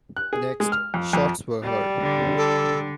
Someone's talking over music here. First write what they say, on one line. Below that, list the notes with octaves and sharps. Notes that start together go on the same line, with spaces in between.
Next, shots were heard.
F#6
G#4
G#3
F6
F2
F2
G3
D3
A4